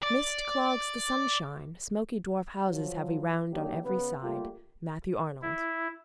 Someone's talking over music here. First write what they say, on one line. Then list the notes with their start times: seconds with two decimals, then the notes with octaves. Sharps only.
'Mist clogs the sunshine, Smoky dwarf houses Have we round on every side.' MATTHEW ARNOLD.
0.03 D5
2.67 F3 F#3
3.52 F#3 A#3 D4 D#4 G4
3.84 C#3 B3 B4
4.22 G3 A3 A#3 F4 G4
5.42 E4